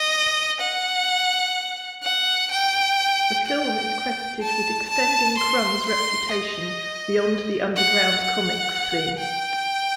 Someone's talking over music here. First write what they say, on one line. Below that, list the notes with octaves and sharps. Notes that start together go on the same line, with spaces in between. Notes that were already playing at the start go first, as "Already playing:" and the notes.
The film is credited with extending Crumb's reputation beyond the underground comix scene.
Already playing: D#5
F#5
F#5
G5
G5
A5
A5
C6
C6
D#5
F#5
F#5
G5